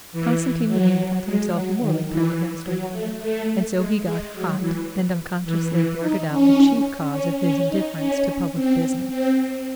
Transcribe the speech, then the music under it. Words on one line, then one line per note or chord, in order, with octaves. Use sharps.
Konstantin Levin felt himself morally pinned against a wall, and so he got hot, and unconsciously blurted out the chief cause of his indifference to public business.
E3
F#3
G#3
F#3
D#3
E3
F#3
A3
A3
G#3
G#3
F#3
E3
E3
E3
D#4
C#4
C#4
C#4
D#4
C#4
C4
C4